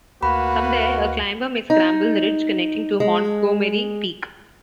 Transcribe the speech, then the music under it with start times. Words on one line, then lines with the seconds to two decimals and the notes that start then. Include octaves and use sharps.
From there, a climber may scramble the ridge connecting to Montgomery Peak.
0.23 D2 A#3 F#4 B4 B5
1.70 D#4
3.00 G#3